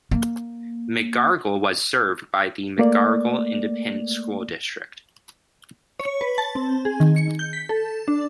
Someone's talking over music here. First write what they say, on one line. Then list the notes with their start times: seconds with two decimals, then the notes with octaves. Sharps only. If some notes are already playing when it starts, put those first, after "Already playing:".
Megargel was served by the Megargel Independent School District.
0.11 A#3
2.78 A3 A#3 D5
6.00 C#5
6.21 B4
6.38 A5
6.55 C4
6.85 G#4
7.00 D#3
7.16 C#7
7.39 G6
7.53 B6
7.69 A4
8.08 D4